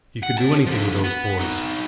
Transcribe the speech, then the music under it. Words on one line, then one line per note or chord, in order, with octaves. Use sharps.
'You could do anything with those boys.
F#5
C#5 A5
D3 F3
B3
D#4 F#4